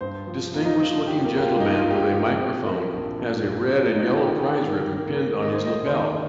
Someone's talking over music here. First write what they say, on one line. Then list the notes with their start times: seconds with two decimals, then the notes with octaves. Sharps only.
Distinguished looking gentleman with a microphone has a red and yellow prize ribbon pinned on his lapel.
0.01 G2 C5
0.27 F3
0.54 A#3 F4
0.65 D#4
0.77 F3 F4
1.07 F3 G4
1.25 A#4
1.35 A#3 G4
1.42 F4
1.60 G2 D#4
1.78 F4
1.87 A#3 G4
1.97 F4
2.14 F3 G4
2.40 C4
2.67 F3 A#4
2.93 A#1
3.20 A#2
3.46 A#1
3.72 F3
3.95 C4 D#4
4.06 F4
4.16 G4
4.26 D#3 A#4
4.40 G4
4.53 D#3 A#4
4.66 A#4
4.79 D#3 G4
4.96 A#4
5.06 A#3
5.15 A#4
5.33 D#3
5.43 D#5
5.54 A#3 C5
5.65 D#5
5.86 D#2 C5